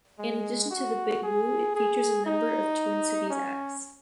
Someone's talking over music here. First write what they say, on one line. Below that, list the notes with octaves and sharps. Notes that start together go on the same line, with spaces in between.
In addition to the Big Wu it features a number of Twin Cities acts.
G#3
F#4
G#4
G#4
D#4
C#4